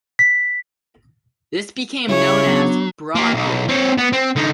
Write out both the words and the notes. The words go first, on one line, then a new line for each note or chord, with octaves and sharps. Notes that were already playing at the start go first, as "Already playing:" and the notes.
This became known as "broad gauge".
B6
C#3 E4 C#5
F#3 B3 D4
A#3 G4
B1
C4 C#5
B3
C4
D3 D#4